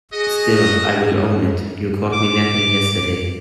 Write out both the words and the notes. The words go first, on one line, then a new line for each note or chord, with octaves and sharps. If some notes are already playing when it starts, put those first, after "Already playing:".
Still, I will own it, you caught me napping yesterday.
F#4 G#4 D#5
D6